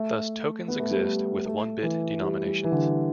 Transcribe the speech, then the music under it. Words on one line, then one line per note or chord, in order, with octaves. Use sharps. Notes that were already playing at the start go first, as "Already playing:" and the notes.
Thus tokens exist with one-bit denominations.
Already playing: A3
B3
A3
G3
A3
A3
E3
G3
G3
E3
D3